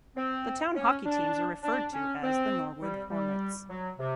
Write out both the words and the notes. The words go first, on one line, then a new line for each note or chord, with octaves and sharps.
The town hockey teams are referred to as the Norwood Hornets.
C4
C#4
D4
D4
C#4
C4
G3
G3
F#3
C3